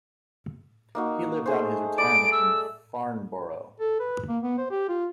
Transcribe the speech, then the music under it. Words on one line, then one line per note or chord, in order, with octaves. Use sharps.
He lived out his retirement in Farnborough.
A#3 D#4 F#4
A3 G#4 C5
D5 B5 D#6 D7
E6
A4
B4
A#3
B3
C5
G4
F4